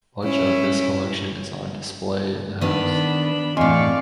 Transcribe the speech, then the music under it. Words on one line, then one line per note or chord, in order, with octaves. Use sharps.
Much of this collection is on display in the house.
C#4 E4
D#3 B3 D4 B5
E2 A2 C4 D5 D#5 F5 G#5 C#6